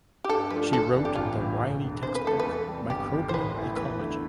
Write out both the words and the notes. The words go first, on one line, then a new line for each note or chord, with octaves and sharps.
She wrote the Wiley textbook "Microbial Ecology".
G4
G2 A4
F3 A3 D4 F4 B4
G1 A4
F2 E3 B3 D4
G4
A1 F4
A2 E3
E1
E2 D3
C3 C5
B4
E3 A3 A4
B4
E2
C3 G3
G1 G4
F2 C3 F3
C5
A1 B4
A2 E3 B3 E4
E2 B4
D3 A3 E4